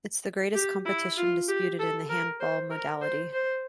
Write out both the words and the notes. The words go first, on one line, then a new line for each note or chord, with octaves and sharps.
It’s the greatest competition disputed in the handball modality.
G4
E4
F4
G4
A4
A#4
C5
A#4
C5
C5